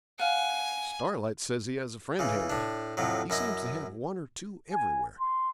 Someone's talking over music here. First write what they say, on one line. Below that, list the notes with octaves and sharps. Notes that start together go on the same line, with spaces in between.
'Starlight says he has a friend handy; he seems to have one or two everywhere.
F5 F#5 G#5
C#3 E3
A2 D4
F2 A2 F#3
F#2 E4 D#5
G#5
C6